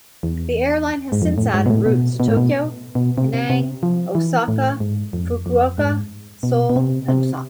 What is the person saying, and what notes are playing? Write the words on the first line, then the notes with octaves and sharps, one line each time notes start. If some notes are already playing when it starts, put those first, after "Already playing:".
The airline has since added routes to Tokyo, Penang, Osaka, Fukuoka, Seoul and Busan.
E2
G#2
F2
A2
G#2
B2
A2
B2
B2
A2
B2
B2
C3
C3
C3
F3
E3
A2
G#2
F2
F2
G#2
B2
B2
C3
C3